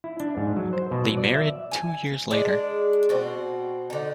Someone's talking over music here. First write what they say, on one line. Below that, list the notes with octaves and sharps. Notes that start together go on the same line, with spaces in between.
They married two years later.
E4
D4
G#2
F#3
C5
B2
F#3
D5
E5
G#5
G#3 D4
B2 C4 F#4
D3 D#4